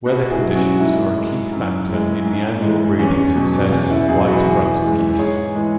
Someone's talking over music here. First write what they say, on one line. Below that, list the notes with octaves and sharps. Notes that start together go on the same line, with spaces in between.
Weather conditions are a key factor in the annual breeding success of white-fronted geese.
B2 F#4 B4
E4 G#4
F#3
C#4 F#4
G#2 E4
G#3
F#2
E3 G#3
G#2
E3 G#3
E2 C#4
B2 F#3
E2 C#4
E4
B2 F#3 E4 G#4
G#4
F#4 B4
E2 E4 G#4
E3 G#3
G#2 G#4 C#5
E3 G#3